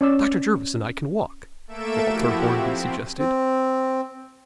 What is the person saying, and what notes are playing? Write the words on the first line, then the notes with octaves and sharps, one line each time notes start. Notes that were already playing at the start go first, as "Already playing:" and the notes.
"Dr. Jervis and I can walk," Walter Hornby suggested.
C#4 D5 E6
A3 A#3 A4 E5 D7 E7
F3 E4 F#4 G4
C4
C4